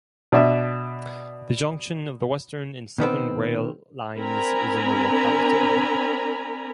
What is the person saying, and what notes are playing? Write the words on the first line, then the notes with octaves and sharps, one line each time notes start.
The junction of the western and southern rail lines is in the locality.
B2 D4 D5 E5
B2 D#3 B3 C4
C4 D4 A#4 G#5 A#5 B5